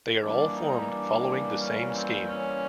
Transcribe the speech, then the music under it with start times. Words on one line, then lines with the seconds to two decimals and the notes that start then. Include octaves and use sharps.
They are all formed following the same scheme.
0.23 E3 G3 A#3 D4
0.57 D#4
0.91 D4
1.60 C#4
1.94 C4
2.29 C#4